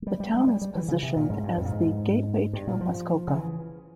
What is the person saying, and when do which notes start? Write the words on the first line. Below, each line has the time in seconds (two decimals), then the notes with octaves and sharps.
The town is positioned as the "Gateway to Muskoka".
0.02 G#3
0.07 G3
0.20 G3
0.34 G#3
0.47 G3
0.61 G3
0.75 E3
0.88 C#3
1.03 C3
1.16 A#2
1.30 G#2
1.43 G2
1.58 F2
1.65 A#2
1.71 G#2
2.53 G2
2.67 A#2
2.81 F3
3.28 C#3
3.36 E3